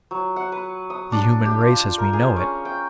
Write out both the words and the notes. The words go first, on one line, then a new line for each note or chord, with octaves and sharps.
The human race as we know it.
F#3
F#5
B4
D#6
D4
G4
F4
A#4
G#4
C#4
G5